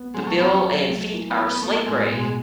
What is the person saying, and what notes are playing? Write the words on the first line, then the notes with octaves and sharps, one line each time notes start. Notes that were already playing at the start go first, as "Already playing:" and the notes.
The bill and feet are slate grey.
Already playing: B3
F#3 G#3
A3
F#3 B3
C#4
F#3
A3
E3
B3
E3
B3
A3 B3
A2 G#3
B2 G#3